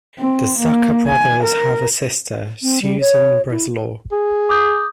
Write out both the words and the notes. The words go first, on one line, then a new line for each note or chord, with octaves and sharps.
The Zucker brothers have a sister, Susan Breslau.
C4
A#3
G#5
A#4
C4
G3
C#5
E4
G#4
D6 D#6 G6